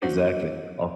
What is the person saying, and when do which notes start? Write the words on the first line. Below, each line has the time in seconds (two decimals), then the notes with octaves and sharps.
Exactly, o
0.02 E3 A#3 D4 F#4 C5